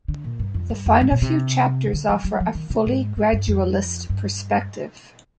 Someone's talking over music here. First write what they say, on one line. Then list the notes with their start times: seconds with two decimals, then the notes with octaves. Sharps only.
The final few chapters offer a fully gradualist perspective.
0.08 D3
0.24 A#2
0.39 G2
0.54 F2
0.70 G2
0.86 F2
1.01 G#2
1.11 A#2
1.22 C3
1.93 D3
2.09 F3
2.24 G3
2.40 F3
2.55 D#3
2.70 C3
2.87 G#2
3.17 G#2
3.33 G2
3.48 F2
4.09 G2